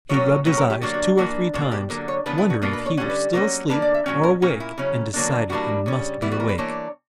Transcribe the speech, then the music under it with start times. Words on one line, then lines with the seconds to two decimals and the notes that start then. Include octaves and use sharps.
He rubbed his eyes two or three times, wondering if he were still asleep or awake and decided he must be awake.
0.09 A#2 F#3 A#3 C#4 C#5
0.45 A#2 F#3 C#4 B4
0.58 A#4
0.70 G4
0.82 D3 F#3 A#3 D4 F#4
0.94 F#4
1.18 E3 A#3 D4 F#4
1.54 B2 A#3 D4 F#4
1.72 G4
1.90 D3 F#3 A#3 A#4
2.08 C#5
2.26 C#3 E3 B3 D4 B4
2.38 E4
2.50 F#4
2.62 B2 A#3 D4
2.73 B4
2.86 C#5
2.97 D3 G3 C#4 F#5
3.10 B4
3.33 D3 F#3 A#3 C#4 A#4
3.70 D3 A#3 D4 B4
3.82 D5
3.94 E5
4.06 A#2 F#3 C#4 G5
4.24 A#4
4.42 A#2 A#3 C#4 F#4
4.60 E4
4.78 C#3 F#3 C#4
5.14 D3 F#3 A#3 D4
5.50 E3 G3 A#3 D4 F#4
5.86 C#3 G3 C#4
6.22 E3 G3 B3 E4
6.32 F#4
6.40 A#4
6.49 B4
6.58 E3 A#3 D4 C#5